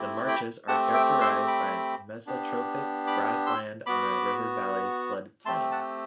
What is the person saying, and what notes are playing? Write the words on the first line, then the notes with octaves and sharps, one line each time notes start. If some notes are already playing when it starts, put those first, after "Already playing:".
The marshes are characterised by mesotrophic grassland on a river valley flood plain.
Already playing: A3 C4 E4 G4
G5 B5
A3 C4 G4 F#5 A5
E5 G5
C6 E6
B5 D6
B3 D4 G4
B5 D6
C6 E6
B3 F#4 B5 D6
A3 C4 G4 A5 C6
F#5 A5